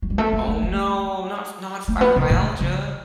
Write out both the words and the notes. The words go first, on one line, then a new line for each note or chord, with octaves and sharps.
Oh, no. Not not fibromyalgia.
F#3
G3
A3
A3
A3
A3
A3
B3
C#3
A2
C#3